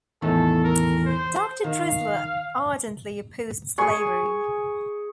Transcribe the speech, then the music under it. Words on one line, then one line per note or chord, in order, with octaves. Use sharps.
Doctor Drisler ardently opposed slavery.
E2 A2 D#3 A4
A#4
C5
D#3 F5
G#4 G#5 C#6